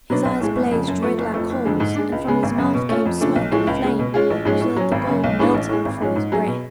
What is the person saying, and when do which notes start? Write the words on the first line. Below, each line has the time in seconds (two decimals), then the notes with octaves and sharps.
His eyes blazed red like coals, and from his mouth came smoke and flame so that the gold melted before his breath.
0.10 B2 F#3 B3 D4
0.25 B1
0.40 A2 G#3
0.55 F#1
0.71 F2 C#3
0.88 F#2
1.02 F3 A3
1.18 F#1
1.34 F2 F3 A3
1.50 F#1
1.65 F2 D3 G#3
1.80 G#2
1.96 G#3 D4
2.12 C#2
2.27 C#3 G#3 B3
2.43 G#1
2.58 F#2 C#3
2.74 B2
2.89 A3 C#4 F4
3.06 F2
3.21 C#3 F3 A3 D4
3.36 B1
3.51 A2 F3 G#3
3.67 C#2
3.83 C#3 G#3
3.99 B2
4.14 G#3 C#4 F4 G#4
4.30 A1
4.45 G#2 F3 G#3 C#4
4.61 A2
4.76 F#3 C#4
4.92 G#1
5.07 F#2 C#3
5.24 B1
5.39 A2 G#3 B3 D4
5.54 A1
5.69 A2 G#3
5.85 G#1
6.01 G#2 F3 G#3 C#4
6.16 G#2
6.32 F#3 C#4 G#4
6.47 B2